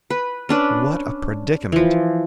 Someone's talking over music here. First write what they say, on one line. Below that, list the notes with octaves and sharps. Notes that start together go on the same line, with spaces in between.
What a predicament!
B4
C#4 D4 B4
E3 F3